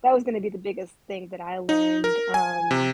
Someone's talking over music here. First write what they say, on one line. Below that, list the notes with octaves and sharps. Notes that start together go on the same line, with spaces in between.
that was gonna be the biggest thing that I learned, um
D#4
A#4
G#5
C3